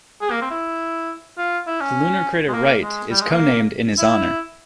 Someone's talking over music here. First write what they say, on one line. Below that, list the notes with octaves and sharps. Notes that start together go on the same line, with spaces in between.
The lunar crater "Wright" is co-named in his honour.
G#4
A#3
C4
E4
F4
E4
C#4
G#3
A#3
G#3
G3
G#3
A#3
E4